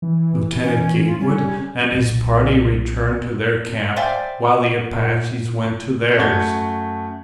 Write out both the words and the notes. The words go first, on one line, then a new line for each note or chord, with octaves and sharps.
Lieutenant Gatewood and his party returned to their camp while the Apaches went to theirs.
E3
C#4
F4
G3 C#4
B1 A#2
C5 D5 E5 F5 G5 G#5
A#2
F#2 A3 F#4 C#6 G6 G#6